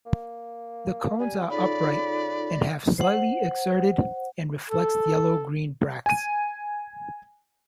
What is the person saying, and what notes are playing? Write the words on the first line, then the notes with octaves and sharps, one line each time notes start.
The cones are upright and have slightly exserted and reflexed yellow-green bracts.
A#3
G3 G#5
C#3 D#4 F4 A4 D5 B5
C5 F#5
A4
G#5 D#7